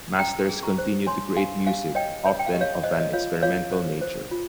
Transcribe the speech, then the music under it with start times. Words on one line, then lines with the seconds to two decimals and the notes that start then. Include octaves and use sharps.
Masters continues to create music, often of an experimental nature.
0.18 C#4 G5 A#5
0.49 G#4
0.63 A#5 C#6
0.78 C5
1.07 C#5 G#5 C6
1.36 G4 F5 G#5
1.66 G4 F5 G#5
1.95 C#5 D#5 G5
2.25 C#5
2.39 G5
2.47 F5
2.54 G4 D#5
2.61 C#5 F5
2.84 C5 D#5
2.92 C#5
3.00 D#5
3.13 F4 C#5 F5
3.42 F4 C#5 F5
3.72 C5
4.01 C5
4.31 F4